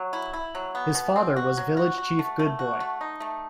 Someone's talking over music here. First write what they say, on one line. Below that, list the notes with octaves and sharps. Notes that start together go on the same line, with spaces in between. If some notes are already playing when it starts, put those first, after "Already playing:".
His father was village chief Good Boy.
Already playing: F#3
E4
E4
F#3
B3
B2
C4
F#4
F#3
F#4
F#4
A3
A3
F#4
A3
D#4
A3